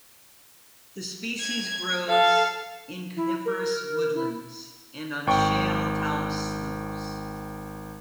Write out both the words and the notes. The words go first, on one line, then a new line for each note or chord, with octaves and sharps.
The species grows in coniferous woodlands and on shale talus slopes.
G#6
A4 F5
E4
A#4
E4
G#1 G5 C#6